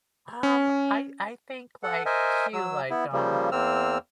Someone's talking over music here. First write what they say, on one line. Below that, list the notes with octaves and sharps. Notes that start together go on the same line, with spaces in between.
Um, I I think, like, too, like, um,
C#4
A4 F#5
A#4 C5 D#5 E5 G#5
F#3 E6
B3 E4
C#3 F3 G3 A#3
E2 A#3 C4 E6 F6